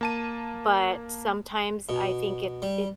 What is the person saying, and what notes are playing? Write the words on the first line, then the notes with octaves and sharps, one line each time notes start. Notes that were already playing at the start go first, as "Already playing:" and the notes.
but sometimes I think it it
A#3 A5 D#7
B2
G3